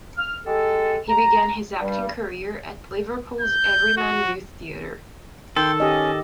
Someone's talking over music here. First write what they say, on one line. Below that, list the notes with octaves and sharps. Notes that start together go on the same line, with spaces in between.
He began his acting career at Liverpool's Everyman Youth Theatre.
F6
G#3 G4 A4
A#5
G2 G3
G6
F#4
D#3 A4 G5 C6
C#4 G4 D#5